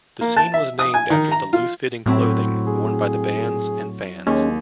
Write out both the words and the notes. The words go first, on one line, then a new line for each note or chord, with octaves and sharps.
The scene was named after the loose-fitting clothing worn by the bands and fans.
A#3
A5
E5
D#6
G#5
D#3
A#5
F4
A2 F#3 C4 E4
G#4
D#2 G#3 C#4